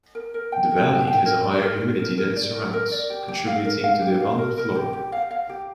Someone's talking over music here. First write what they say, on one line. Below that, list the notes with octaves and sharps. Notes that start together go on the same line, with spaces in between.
The valley has a higher humidity than it surrounds, contributing to the abundant flora.
A#4
A#4
G5
A#4
G5
G5
A#4
D5
A#4
A#4
A#4
A#4
D5
A#4
A#4
D5
G4
G4
F5
A#4
F5
G4
F5
A#4
A#4
G4
G4
F5
F5
G4